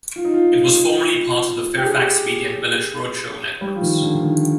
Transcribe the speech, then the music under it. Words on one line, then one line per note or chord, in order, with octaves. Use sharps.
It was formerly part of the Fairfax Media and Village Roadshow networks.
F4
D#4
F4
G4
G#4
G4
G3
F3
D#3
D3
D3
D#3